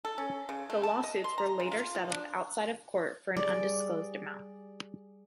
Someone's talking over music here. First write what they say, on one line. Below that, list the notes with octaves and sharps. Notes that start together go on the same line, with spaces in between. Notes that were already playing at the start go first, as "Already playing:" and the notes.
The lawsuits were later settled outside of court for an undisclosed amount.
A4
C#4
C#3
A3
A5
D#5
C6
A#5
C#3
F4
F3
D4
G3 G#4 D5